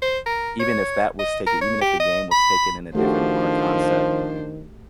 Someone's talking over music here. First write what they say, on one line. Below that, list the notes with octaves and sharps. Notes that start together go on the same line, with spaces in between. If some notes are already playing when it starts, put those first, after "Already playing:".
even if that was taken even if the game was taken in a different art concept,
C5
A#4
C#5
D#5
A#4
C#5
G4
D#5
B5
D#3 F3 A3 D4 F#4 G4 C5